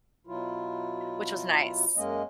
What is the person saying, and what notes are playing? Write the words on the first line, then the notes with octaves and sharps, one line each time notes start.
which was nice.
B2 F#3 E4 F4
F#2 G#3 A#3 C#4 D#5